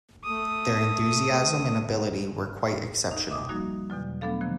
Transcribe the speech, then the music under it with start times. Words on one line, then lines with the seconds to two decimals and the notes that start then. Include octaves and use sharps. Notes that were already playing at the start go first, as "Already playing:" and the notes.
Their enthusiasm and ability were quite exceptional.
0.24 A3 D#6
3.11 D#4
3.28 D#5 E5 D6 D#6
3.49 F3 G3 A#3 D#4 F#4
3.90 E2 B2 D3 F#3
4.21 F#3 A3 B3 D4 A4 F5
4.41 C3 D#3 F3 A#3